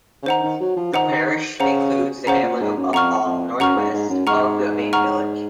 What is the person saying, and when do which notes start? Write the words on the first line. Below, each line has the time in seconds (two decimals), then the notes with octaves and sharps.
The parish includes the hamlet of Uphall northwest of the main village.
0.22 C#3
0.26 D#3 C5 F#5 A#5
0.43 D#3
0.61 F#3
0.76 F3
0.93 D#3 C5 F#5 A#5
1.60 C#3 C5 F#5 A#5
2.26 C#3 C5 F#5 A#5
2.43 A#2
2.60 G#2
2.76 F#2
2.93 F2 F#5 A#5 C#6 F6
3.26 F2
3.60 F#2 F#5 A#5 C#6 F6
3.76 G#2
3.93 G#2
4.10 F#2
4.26 G#2 F#5 A#5 C#6 F6
4.93 F#5 A#5 C#6 F6